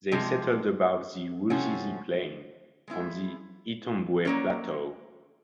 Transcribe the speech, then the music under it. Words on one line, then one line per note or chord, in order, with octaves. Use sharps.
They settled above the Ruzizi Plain on the Itombwe Plateau.
C3 F3 G#3
C3 F3 A3 C#4 F#4
G#3 B3 E4
F#3 A#3 C#4